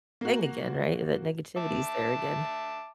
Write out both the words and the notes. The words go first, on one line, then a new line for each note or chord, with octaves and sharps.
thing again, right? That negativity is there again.
A#3 F#4
E5 A5 D6